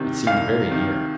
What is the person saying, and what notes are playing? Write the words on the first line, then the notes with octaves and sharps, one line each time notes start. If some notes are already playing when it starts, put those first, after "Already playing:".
It seemed very near.
Already playing: C2 C3 D#3
C2 F5
C3 D#3